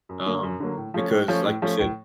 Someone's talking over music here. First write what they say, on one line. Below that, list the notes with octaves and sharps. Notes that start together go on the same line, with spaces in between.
um, because like you said
F#2
D3 F#3 A#3
F#2
D3 F#3 A#3
A2
F3 A3 C#4
A2
F3 A3 C#4
A2
F3 A3 C#4
A2